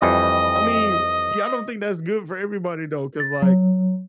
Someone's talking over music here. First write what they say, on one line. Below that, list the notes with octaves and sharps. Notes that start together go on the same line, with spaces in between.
I mean, yeah, I don't think that's good for everybody though, 'cause, like,
F2 E3 G3 D#5
A6
F#3